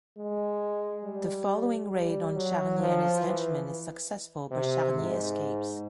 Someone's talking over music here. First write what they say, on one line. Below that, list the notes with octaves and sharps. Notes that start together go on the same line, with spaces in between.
The following raid on Charnier and his henchmen is successful, but Charnier escapes.
G#3
G3
G3
F#3
F3
E3
C3
G#2